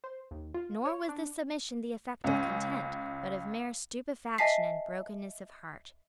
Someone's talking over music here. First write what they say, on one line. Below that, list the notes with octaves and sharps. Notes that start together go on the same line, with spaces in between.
Nor was this submission the effect of content, but of mere stupefaction and brokenness of heart.
C5
D#2
F4
C#5
D4
C#2 C#4
D#5 E5 G#5 A5 B6 C7